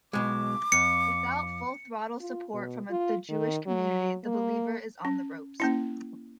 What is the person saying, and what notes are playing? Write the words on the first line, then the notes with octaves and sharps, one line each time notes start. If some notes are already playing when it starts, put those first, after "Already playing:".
Without full-throttle support from the Jewish community, The Believer is on the ropes.
B1 B2 G#3 D6
F2 C#7
F4
B2
F4
D#3
F#3
A#3
C#4
A#3 C#4 E4